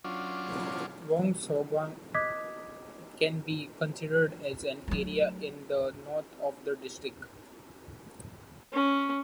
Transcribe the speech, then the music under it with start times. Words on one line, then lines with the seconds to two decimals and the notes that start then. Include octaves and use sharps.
Wong Sawang can be considered as an area in the north of the district.
0.04 F#3 C#4 D4 F4
2.14 D#5 D6 D#6 F#6 G#6 B6
4.88 F#3 A3
8.73 C#4